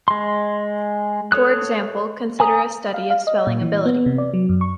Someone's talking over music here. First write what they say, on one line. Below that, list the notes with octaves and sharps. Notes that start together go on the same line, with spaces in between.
For example, consider a study of spelling ability.
G#3 C6
A4 C#5 D#6 F#6
G#5 A#5 D#6
F5
F5
D#5
A#2
E3
B3
C3
D5
F#3
F#2
C#6